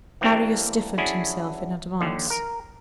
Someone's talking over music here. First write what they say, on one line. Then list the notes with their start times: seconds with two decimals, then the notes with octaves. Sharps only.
Marius stiffened himself in advance.
0.21 E3 A#3 C4 D4 G4 A#4
0.98 C#4 D4 E4 F#4 G#4
2.01 D#2 D3
2.30 A#4